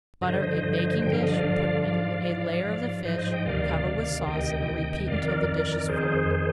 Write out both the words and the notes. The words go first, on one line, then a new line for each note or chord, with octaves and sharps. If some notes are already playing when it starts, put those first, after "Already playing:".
Butter a baking-dish, put in a layer of the fish, cover with sauce, and repeat until the dish is full.
G2 D3 F3 C5 D#5
G2 D3 F3
G2 D3 F3 G5
F5
D#5
D5 F5
G2 D3 F3
G#2 F3 D5 F5
G#2 F3
G#2 F3
G#2 F3 C5 D#5
C5 D#5
D#5 G5
D2 C3 D#3 D5 F5
D2 C3 D#3
D2 C3 D#3 D#5 G5
D2 C3 D#3
F2 D#3 D5 F5
A#4 D5
F2 D#3
F2 D#3 G#4 C5
D#3